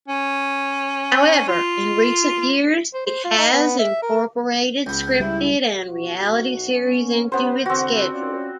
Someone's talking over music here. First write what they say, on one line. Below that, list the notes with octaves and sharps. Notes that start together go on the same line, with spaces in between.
However, in recent years, it has incorporated scripted and reality series into its schedule.
C#4
F4
C5
C5
F4
D#4
B3
E5
A#4
C#2 B3 G6
G3 E4
B1 F#4
B3 C#4
B3 C#4 G4 B4 C5
E2 D3 C4 F#4
C#4 F4 D5